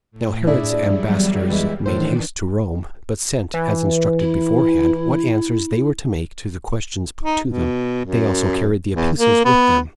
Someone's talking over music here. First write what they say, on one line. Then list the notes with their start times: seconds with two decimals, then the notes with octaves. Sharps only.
Now Herod's ambassadors made haste to Rome; but sent, as instructed beforehand, what answers they were to make to the questions put to them. They also carried the epistles with them.
0.11 A2
0.47 D4 E4 G#4 D5
0.80 E2 F#3 G3
1.50 E3 G#3 E4
1.86 A2 D#3 E3 D4 C5
3.54 E3
4.20 E4
7.24 D#4
7.45 B2
8.05 F#2
8.94 E2
9.18 A#3
9.45 B3